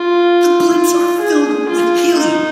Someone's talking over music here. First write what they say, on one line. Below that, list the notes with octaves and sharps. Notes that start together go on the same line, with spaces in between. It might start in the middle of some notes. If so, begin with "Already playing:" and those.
The blimps are filled with helium.
Already playing: F4
F4
G#4
F4
D#4